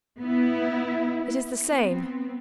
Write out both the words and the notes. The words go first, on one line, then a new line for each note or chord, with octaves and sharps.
"It is the same."
B3 E4
B3 C4